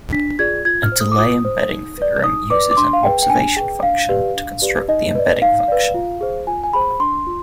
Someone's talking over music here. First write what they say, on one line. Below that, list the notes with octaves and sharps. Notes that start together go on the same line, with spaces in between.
A delay embedding theorem uses an "observation function" to construct the embedding function.
D4 B6
F4 G#4 D5 G#6
F4 G#6
F6
C5
D#6
D6
F4 D#6
C5
D#4
B4 D5
D#4 D#6
B4 D5 D6
D6
D4 C6
F5
G#4 B4 G5
G5
D4 G#5
G#4 B4 G5
D4 F5
G4 B4 D5
D4
G4 B4 D5
D#4 D#5
B4 D5
D#4 F5
B4 D5
F4
G#4 C5
F4 G#5
G#5
G#4 C5 B5
D4 C6
F4